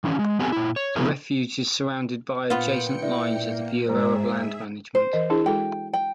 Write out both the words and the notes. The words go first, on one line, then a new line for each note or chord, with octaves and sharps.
The refuge is surrounded by adjacent lines of the Bureau of Land Management.
D#3 E3 C4 C#4
G#3
B3 C4 G4 A4 G#5
A#2 E4
C#5
C#3 F3 B3 E4 G#4 A#4
A#2 B3 F4 G5 C#7
E4 D5 E5
A#3
G#2 G#4 C5 E5 A#5
C5
E3 D#5
D4 E4 G#4
G#3 F#4 A4 G5
G5